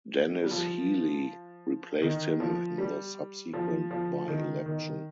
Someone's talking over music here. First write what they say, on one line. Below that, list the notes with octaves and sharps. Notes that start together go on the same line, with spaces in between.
Denis Healey replaced him in the subsequent by-election.
G3
F3
D#3
F3
G3
F3
F3
D#3
D#3